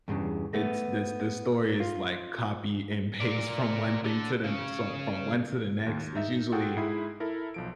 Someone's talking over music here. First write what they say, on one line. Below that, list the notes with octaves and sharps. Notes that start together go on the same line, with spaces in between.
it's this the story is like copy and paste from one thing to the some from one to the next, is usually
E2 G2 A#2 C#3
A3 B3
F4
A#4 D5
D3
C#3 C#4
D#2
D#4 E5
F4 F#4 G#4 A4 F#5 G5
G#2 E4 G#4 C7
E4 A4 A#4
B1 F3 D7